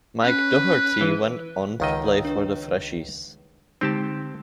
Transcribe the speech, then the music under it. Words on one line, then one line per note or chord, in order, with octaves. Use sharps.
Mike Doherty went on to play for The Freshies.
C#4 B4
E3
C#2 D#3 D#5 F5 F#5 E6
D4 B4
D3 G#3 C4 D#4 G4 A5